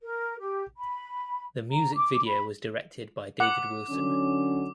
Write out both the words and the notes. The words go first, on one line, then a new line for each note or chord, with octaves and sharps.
The music video was directed by David Wilson.
A#4
G4
B5
A#5
D6
B5
F#5 D6
D3 F#3 C#4